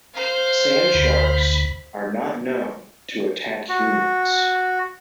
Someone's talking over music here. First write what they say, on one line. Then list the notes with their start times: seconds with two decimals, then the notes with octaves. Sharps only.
Sand sharks are not known to attack humans.
0.14 C5 F5
0.94 D2 B5
3.69 F#4